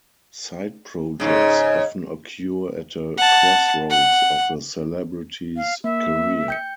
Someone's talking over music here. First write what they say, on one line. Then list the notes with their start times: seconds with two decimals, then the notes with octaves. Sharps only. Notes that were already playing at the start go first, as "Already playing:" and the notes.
Side projects often occur at a crossroads of a celebrity's career.
1.20 G#2 C#3
3.17 F#5 A5
3.90 F#5
5.57 F5
5.84 A#3 E5
6.48 G5 G6 C#7